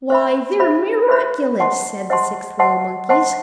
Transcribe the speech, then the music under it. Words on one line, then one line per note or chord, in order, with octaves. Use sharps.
"Why, they're miraculous!" said the six little monkeys.
C5 E5 B5
C5 E5 B5
C5 E5 B5
C5 D#5 F#5 A5 C6
C5 D#5 F#5 A5 C6
C5 D#5 F#5 A5 C6
C5 D#5 F#5 A5 C6